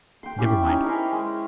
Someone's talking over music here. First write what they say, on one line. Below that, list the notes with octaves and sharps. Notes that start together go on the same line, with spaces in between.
Never mind.
G5 C6
C#4 E4 G4
C#4 D#4
C#4 E4 A#4 C5
G#3